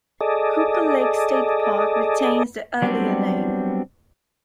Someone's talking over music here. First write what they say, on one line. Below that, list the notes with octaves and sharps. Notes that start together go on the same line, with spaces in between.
Cooper Lake State Park retains the earlier name.
G#4 A4 D5 D#5
F#3 G3 B3 C4 D4